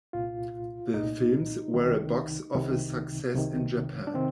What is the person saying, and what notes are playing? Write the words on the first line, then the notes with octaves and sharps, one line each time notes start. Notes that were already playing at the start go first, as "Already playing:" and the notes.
The films were a box office success in Japan.
C2 A#2 F4
C2 A#2 D#4
C2 C3 D#3
C2 C3 D#3
C2 C3 D#3
D4
C3 D#3 C4